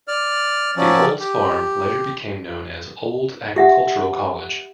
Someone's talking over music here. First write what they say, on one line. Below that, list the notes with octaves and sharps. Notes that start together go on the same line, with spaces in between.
The Olds farm later became known as Olds Agricultural College.
D5 F6
F3 F#3 C#4 D5
G4
G4 E5 F#5